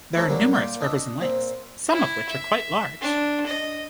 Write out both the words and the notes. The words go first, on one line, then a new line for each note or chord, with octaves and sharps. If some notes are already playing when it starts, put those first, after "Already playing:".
There are numerous rivers and lakes, some of which are quite large.
A3 C4 C#4 E4 A4 A#4
A#2 D3 F#3 G3 A#3
A#2 F4 D5 G5
D4 D#5 E5
A#2 C4
E4
E5
D4
D#5